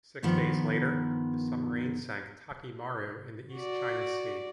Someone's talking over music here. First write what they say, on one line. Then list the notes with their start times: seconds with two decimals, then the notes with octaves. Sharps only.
Six days later, the submarine sank "Taki Maru" in the East China Sea.
0.23 G2 D#3 F3 B3
3.53 F#4 D5